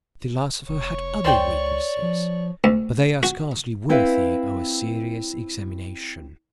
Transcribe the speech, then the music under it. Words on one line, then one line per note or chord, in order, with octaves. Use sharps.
The philosopher had other weaknesses--but they are scarcely worthy our serious examination.
F1 C#5 C#6
C#2 C5 D5 G5
F3
D2
F#4
C4 E4 B4 E5 F5